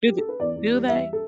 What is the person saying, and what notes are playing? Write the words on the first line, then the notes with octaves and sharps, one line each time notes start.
Is it Do they?
G4
A4
B4
E2 D5
E2
G3
E2 E5
A4